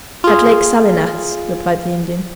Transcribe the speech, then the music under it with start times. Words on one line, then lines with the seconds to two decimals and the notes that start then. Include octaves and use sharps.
"At Lake Salinas," replied the Indian.
0.24 F4 G#4